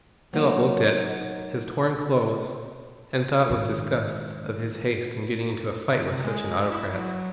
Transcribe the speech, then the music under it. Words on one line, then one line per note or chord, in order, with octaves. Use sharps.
Philip looked at his torn clothes, and thought with disgust of his haste in getting into a fight with such an autocrat.
F#3 A#3 D#4 F#4 A#4 C#5
G#2 D#3
D3
C3
G#3
E4
F#3